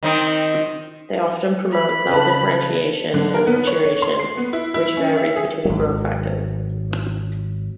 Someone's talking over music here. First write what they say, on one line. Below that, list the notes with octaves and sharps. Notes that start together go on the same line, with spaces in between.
They often promote cell differentiation and maturation, which varies between growth factors.
D#3 C4 D#4
B5
C#3 B4 A5
D3
A#4
B3
C#5
C6
C7
B3
E4
E4
C#4
E5
G#4
G#1 F#3